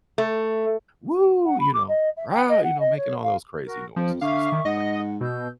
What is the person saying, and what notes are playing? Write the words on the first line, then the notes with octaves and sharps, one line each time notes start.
"Woo!" you know, "Rah!" you know, making all those crazy noises and stuff like that.
A3
F#5
B5
D6
D#5
E5
G5
D#5
F#5
D#5
C#5
F5
F#4 A#4
F2 F3 G5
D3 E5 F5 C#6 D6
D#3
G#2 D#5 F#5
B2 E6 G6